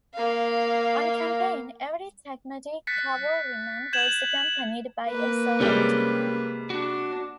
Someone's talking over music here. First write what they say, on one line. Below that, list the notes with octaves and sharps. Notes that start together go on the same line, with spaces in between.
On campaign, every tagmatic cavalryman was accompanied by a servant.
A#3 F5
F#6 A6 B6 C#7
G6 G#6 E7 F#7
A#3 B4
C3 G3 G#3 C#4 G4 G5
D4 F#4